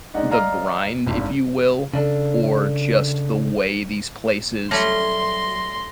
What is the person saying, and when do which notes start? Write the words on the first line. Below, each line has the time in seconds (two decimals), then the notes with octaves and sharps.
the grind, if you will, or just the way these places,
0.14 G#3 D4 D#4 F#5
0.30 D5 D#5 F5 A#5 F6
1.07 G#1 G2
1.94 C#3 D4 A4
4.71 F#3 G3 A3 C#4 C6 A#6